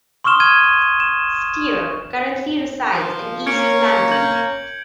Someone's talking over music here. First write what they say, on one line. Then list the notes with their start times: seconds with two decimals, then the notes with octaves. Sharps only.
Steer currently resides in east London.
0.24 C6 C#6 D#6 F6 E7 G7
0.40 F6 G#6 D#7
1.00 E7
2.93 F3
3.47 A#3 C#4 G#6 C#7 D7
4.12 G6 G#6 F#7